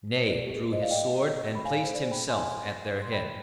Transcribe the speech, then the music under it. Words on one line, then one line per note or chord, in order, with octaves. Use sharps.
Ney drew his sword and placed himself at their head.
C5
B4 D5
G4
G#4
C5 D#5
D5 F5
D#5 G5
B5
F5 G#5
C5
D5
C5
G5 B5
G#5 C6
C6
G5 B5